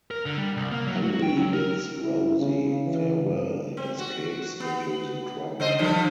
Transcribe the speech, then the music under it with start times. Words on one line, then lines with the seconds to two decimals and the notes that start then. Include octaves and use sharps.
Henry bids Rosie farewell and escapes into the crowd.
0.11 A#4
0.26 D3
0.38 G3
0.57 C2
0.72 A#3
0.87 F#3
1.03 F#4
1.22 G5
1.37 F#3
1.53 A#4
2.02 E4
2.40 C#3
2.85 E3
3.22 G2
3.77 C4
3.98 F#4
4.60 B3
5.60 C#3 C5 D#5
5.79 D3 F3 G3